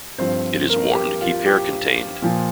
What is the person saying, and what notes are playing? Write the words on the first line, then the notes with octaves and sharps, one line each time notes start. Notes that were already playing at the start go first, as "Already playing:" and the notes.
It is worn to keep hair contained.
G2 F3 C4 C5
A#3 A#4
G4
F4
G4
A#2 F3